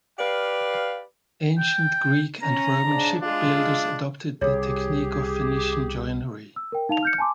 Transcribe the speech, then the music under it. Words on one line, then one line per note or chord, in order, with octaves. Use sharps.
Ancient Greek and Roman shipbuilders adopted the technique of Phoenician joinery.
G4 B4 D5 F5
G5
C#4 A#5
G#2 C#3 D4
G#3 D4 F4
C2 G4 G#4 C#5
E6
A#4 G5
D#4 F5 A5 F7
F6 G6 C#7
G#5 A5 C6 D6